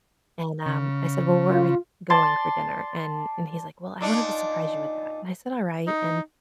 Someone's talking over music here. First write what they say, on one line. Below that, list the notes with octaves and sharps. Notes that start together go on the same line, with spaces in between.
and, um, I said, "Well, where are we going for dinner?" And and he's like, "Well, I wanted to surprise you with that," and I said, "All right," and,
C#3
F4
D5 A5 C6
A#2 D4 D#4
D#4